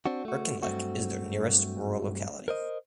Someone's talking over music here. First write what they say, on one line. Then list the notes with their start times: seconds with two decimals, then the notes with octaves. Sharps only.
Irkenlek is the nearest rural locality.
0.06 C4 D4 F#4
0.25 A3 F#4
0.63 G2 F#3 G3 A3 C4 F#4
2.48 A#4 C5 D#5